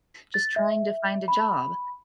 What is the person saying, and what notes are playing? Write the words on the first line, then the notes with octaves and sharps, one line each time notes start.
just trying to find a job,
A6
E5
B5